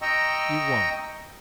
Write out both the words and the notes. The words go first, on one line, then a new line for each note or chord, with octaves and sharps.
You won't.
D#5 G5 A#5 C#6 E6